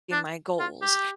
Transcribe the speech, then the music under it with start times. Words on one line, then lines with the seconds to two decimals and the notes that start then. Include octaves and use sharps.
my goals.
0.12 D4
0.59 F4
0.82 G4